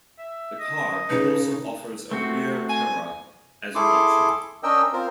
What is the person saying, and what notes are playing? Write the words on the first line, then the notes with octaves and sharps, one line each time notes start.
The car also offers a rear camera as an option.
E5
D#5
C#3 D#4 B4
A3 C4 F#4
G#5
E4 G#4 A4 C6 D6
C#4 D4 A#4 D#5 G5 E6
C4 F4 A#4 C5